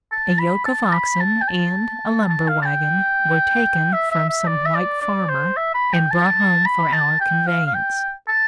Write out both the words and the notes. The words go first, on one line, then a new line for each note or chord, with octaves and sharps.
A yoke of oxen and a lumber-wagon were taken from some white farmer and brought home for our conveyance.
A5
B5
A5
B5
A5
G5
A5
A5
F5
A5
G5
E5
E5
E5
D5
E5
D5
D5
C5
E5
B5
G5
A5
B5
A5
G5
F5
F5
G5
A5